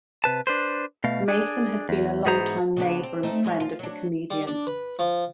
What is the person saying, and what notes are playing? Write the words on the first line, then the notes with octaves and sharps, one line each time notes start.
Mason had been a long-time neighbour and friend of the comedian.
C3 B4 A5
D4 B4 C5
B2 A3 F5
D4 G#4
E2
G#2 E3 B3 G#4 C5 A#5
C#3 B3 D4
C4
A3 C4 D#4
F#2 G#3 C#5
F4
F#3 D4
G3
D4
B4
F3